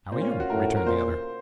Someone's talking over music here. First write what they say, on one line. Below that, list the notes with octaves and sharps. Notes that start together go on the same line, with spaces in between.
"How are you?" returned the other.
A#2 C4
C#4
F4
F#4
A2 A#4
A#4
A#2 C5